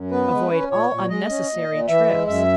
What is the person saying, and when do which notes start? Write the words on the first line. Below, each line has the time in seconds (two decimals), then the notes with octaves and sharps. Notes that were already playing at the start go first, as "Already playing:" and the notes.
Avoid all unnecessary trips.
Already playing: F#2
0.11 B3 B4
0.31 G#3
0.51 C#4
0.71 A#2 C#5
0.90 A#2
1.10 G#3 D#5
1.29 C#4
1.49 A#2
1.68 A#2
1.88 E3 E5
2.07 G#3
2.27 F#2 E5